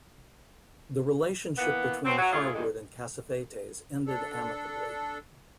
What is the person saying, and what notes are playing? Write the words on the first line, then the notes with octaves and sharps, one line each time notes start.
The relationship between Harwood and Cassavetes ended amicably.
E3 A#3 B3
B2 F#3 C4
F#3
A3 C#4 E4 F4 G#4
E2 G2 D3 D#3 G#3
D4 A4